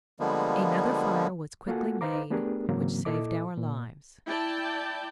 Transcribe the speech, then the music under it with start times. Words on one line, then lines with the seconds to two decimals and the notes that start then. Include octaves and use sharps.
Another fire was quickly made, which saved our lives.
0.20 D3 F3 G3 G#3 A#3 B3
1.68 A#3 F4 F#4 A4 F#5 G#5
2.01 D#4 B4 C5 F5 A#5 D6
2.30 A3 B3 D4 G4 G#4 A#4
2.69 G#2 C#3 E3 F#3 A#3 C4
3.05 A#2 E4 A4 D#5 D6
3.58 A#2
4.25 E4 D5 G5 A5